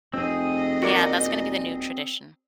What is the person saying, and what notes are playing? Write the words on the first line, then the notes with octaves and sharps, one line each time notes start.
Yeah, that's gonna be the new tradition.
F1 C4 G#4 D#5
D#1 F#4 A#4 D5